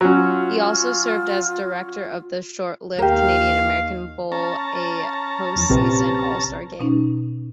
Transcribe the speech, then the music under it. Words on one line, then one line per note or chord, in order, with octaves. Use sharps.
He also served as director of the short-lived Canadian-American Bowl, a postseason all-star game.
F#3 C#4 F4
D#2 G4 A#4 F5
C#4 A5 A#5
E2 F3
A#1 C3 C4 G4 B4
B2 C#4 D#4